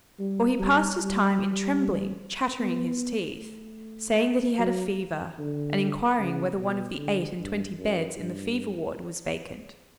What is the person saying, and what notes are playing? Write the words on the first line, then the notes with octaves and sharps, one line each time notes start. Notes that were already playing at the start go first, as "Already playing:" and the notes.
Or he passed his time in trembling, chattering his teeth, saying that he had a fever, and inquiring whether one of the eight and twenty beds in the fever ward was vacant.
G3
G3
G3
B3
A3
F#3
D3
C#3
B2
D3
G2
F#2
G2